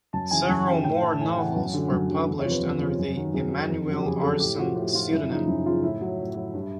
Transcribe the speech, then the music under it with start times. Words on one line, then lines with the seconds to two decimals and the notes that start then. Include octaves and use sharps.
Several more novels were published under the Emmanuelle Arsan pseudonym.
0.13 F#2 A5
0.31 C#3 E3 G#5
0.49 F#2 A5
0.67 C#3 E3 G5
0.84 A2 G5
1.03 E3 A5
1.20 A2 G#5
1.38 E3 F#5
1.56 F#2
1.74 D3 F#3
1.92 F#2
2.09 D3 F#3
2.27 E2
2.39 C#5
2.45 C3 F3
2.51 B4
2.63 E2
2.81 C3 F3
2.98 F#2
3.16 D#3 F#3
3.34 F#2 G#4
3.52 D#3 F#3
3.70 F2
3.87 C#3 F#3
3.97 G4
4.05 F2 G#4
4.22 C#3 F#3 A4
4.40 A2 G4
4.59 F3 F#4
4.76 A2 G4
4.94 F3 F4
5.11 F#2 E4
5.29 C#3 F3 D#4
5.48 F#2 E4
5.66 C#3 F3 F4
5.83 A2 E4
6.01 F#3
6.19 A2
6.37 F#3
6.54 G2